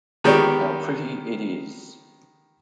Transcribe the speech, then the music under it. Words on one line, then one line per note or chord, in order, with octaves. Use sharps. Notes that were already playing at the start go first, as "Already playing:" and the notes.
How pretty it is!
D#3 G#3 B3 G4 C#5 D5